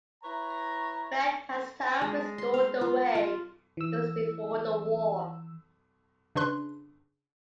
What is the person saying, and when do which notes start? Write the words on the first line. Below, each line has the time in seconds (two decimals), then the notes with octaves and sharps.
Rhett has Tara restored the way it was before the war.
0.23 E4 B4 C#5 A#5
2.02 G#3
2.38 C6
2.54 F5
2.81 F4
3.15 F4
3.77 E3 E6
6.35 C#3 D4 B4 C6 F#6